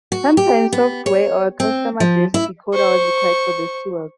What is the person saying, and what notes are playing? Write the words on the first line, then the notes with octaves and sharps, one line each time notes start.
Sometimes software or a custom address decoder was required for this to work.
F#4
G4
B3
C#5
C4
F3
E4
C5 C#6